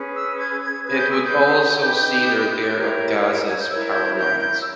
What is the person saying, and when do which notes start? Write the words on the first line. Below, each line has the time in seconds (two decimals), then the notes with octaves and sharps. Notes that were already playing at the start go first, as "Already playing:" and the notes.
It would also see the repair of Gaza’s power lines.
Already playing: C#4 G#4 B4
0.15 E6
0.39 G#6
0.63 G#6
0.86 C#4 G#4 B4 G#6
0.98 G6
1.10 E6
1.23 G6
1.80 D#4 G4 B4
2.75 E4 G4 A#4 C#5
3.47 G#6
3.58 G6
3.70 E4 A#4 C#5 E6
3.93 G6
4.17 G6
4.40 G6
4.60 E6